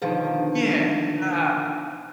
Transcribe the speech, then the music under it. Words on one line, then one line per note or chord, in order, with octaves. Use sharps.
Yeah, uh,
B2 D3 D#3 F3